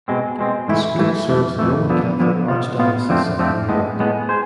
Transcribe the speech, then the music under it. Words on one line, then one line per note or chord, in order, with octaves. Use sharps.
The school serves the Roman Catholic Archdiocese of New York.
B2 G#3 C4
B2 G#3 C4
G#2 E3 A3 E4
G#2 E3 A3 E4
F2 E3 A3
F2 E3 A3
D3 F3 B3
D3 F3 B3
B2 B3 F4
B2 B3 F4
F2 D3 F3 A3 C4
F2 D3 F3 A3 C4
A2 G#3 B3
A2 G#3 B3
G#4 C5